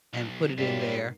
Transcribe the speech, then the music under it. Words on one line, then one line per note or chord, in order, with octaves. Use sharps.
and put it in there.
B1
G#2 C#3 G3 A#3 B3 F4 E5